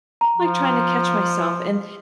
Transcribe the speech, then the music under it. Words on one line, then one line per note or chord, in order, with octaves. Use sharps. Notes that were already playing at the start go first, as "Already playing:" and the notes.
like, trying to catch myself and
A#5
F3